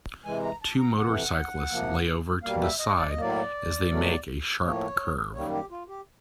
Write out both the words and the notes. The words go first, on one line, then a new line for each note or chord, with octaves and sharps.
Two motorcyclists lay over to the side as they make a sharp curve.
C3 E3 G#3 G#5
A#5
A5
A#5
F2 C3 E3 F#5
C3 F3 A#3
B2 G3 A#3 F5
E5
D#5
D5
D#5
A2 F#3 A#3 D5
E2 B2 F#3 A3
A2 F3 A#3 C#5
F#2 D#3 G3 A#3 C#5
G4
F4
G4